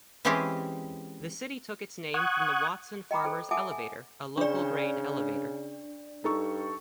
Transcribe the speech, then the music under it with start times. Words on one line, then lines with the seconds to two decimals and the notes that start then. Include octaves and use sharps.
The city took its name from the Watson Farmers Elevator, a local grain elevator.
0.25 E3 G#3 C4 C#4 G4 G#4
2.14 F#5 C#6 D#6 F#6 G#6
3.11 D#5 G5 A#5 B5 D6
3.24 A4 C5 G5
3.51 E5 F#5 G#5 A5 D6 D#6
3.72 G#5
4.38 C#3 D4 D5
6.24 G2 D#4 A4 C#6